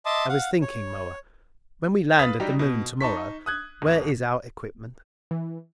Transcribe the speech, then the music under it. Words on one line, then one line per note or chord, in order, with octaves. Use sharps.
"I was thinking, Moa--when we land at the Moon tomorrow--where is our equipment?"
D#5 E5 A5 C6 D6 D#6
F5 F#5
C#5
B4 F5 D#6 A6 B6
F#3 G3 D#4 G4
B2
D#4 A5 C#6 B6
D#6 F#6 G#6
D1
E3